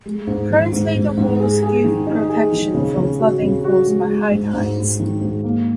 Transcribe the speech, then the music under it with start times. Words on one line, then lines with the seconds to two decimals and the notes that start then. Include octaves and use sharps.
Currently the walls give protection from flooding caused by high tides.
0.06 G#3
0.27 G#2
0.50 D#3
0.73 G#2
0.95 G#2
1.17 G#2
1.40 G#4
1.62 G#4
1.85 D#3
2.07 D#4
2.30 G#4
2.52 D#3
2.74 C#3
2.97 C#3
3.19 F#4
3.42 C#3
3.64 F#4
3.87 G#3
4.09 G#3
4.31 G#2
4.54 G#2
4.77 G#2
5.00 D#3
5.21 G#2
5.44 A#3